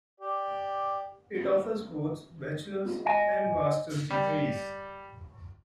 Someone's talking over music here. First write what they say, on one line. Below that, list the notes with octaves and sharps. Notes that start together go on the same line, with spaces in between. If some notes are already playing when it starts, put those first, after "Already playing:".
It offers both bachelor's and master's degrees.
G4 D5
D#5 G#5
G3